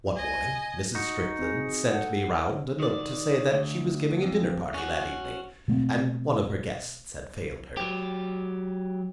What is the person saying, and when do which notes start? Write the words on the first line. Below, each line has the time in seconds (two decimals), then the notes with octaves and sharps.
One morning Mrs. Strickland sent me round a note to say that she was giving a dinner-party that evening, and one of her guests had failed her.
0.16 D#5 G#5
0.95 D#4 F#4
1.39 C4 G#4
1.91 A4 F#5
2.80 D#3 D5
3.52 D2
4.23 F2
4.74 C#4 F#4
5.68 B2 A3 C4
7.77 F#3 G4